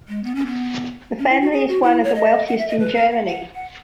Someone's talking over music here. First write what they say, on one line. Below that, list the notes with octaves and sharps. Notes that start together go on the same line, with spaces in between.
The family is one of the wealthiest in Germany.
G#3
B3
C#4
B3
C#4
E4
F#4
G#4
F#4
E4
C#5
D#5
F#5
E5
D#5
B4
A#4
F#5
F#5
F#5